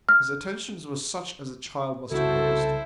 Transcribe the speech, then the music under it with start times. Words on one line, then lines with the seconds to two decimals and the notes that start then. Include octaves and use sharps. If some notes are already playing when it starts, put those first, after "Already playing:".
His attentions were such as a child must have noticed.
0.09 F6
2.11 C2 C#3 B3 E4 F#4 A4 C5